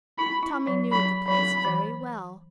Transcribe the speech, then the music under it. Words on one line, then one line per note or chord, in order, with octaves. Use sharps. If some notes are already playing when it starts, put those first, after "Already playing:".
Tommy knew the place very well.
E4 B5
E4
F#3
F#3 B5
F#3 B5
E3